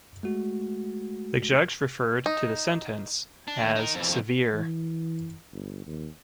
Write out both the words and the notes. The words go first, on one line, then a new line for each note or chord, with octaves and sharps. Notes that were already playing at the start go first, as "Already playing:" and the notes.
The judge referred to the sentence as "severe".
G#3 A3 F#4
D#4
D4
D#2
D#4 A#4
F2 E3
F2 D#3
E3
G1
D#2